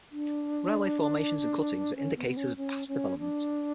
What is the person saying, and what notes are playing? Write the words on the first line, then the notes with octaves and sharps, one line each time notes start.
Railway formations and cuttings are indicators of past development.
D4
C#4
B3
C#4
C#4
C#4
D4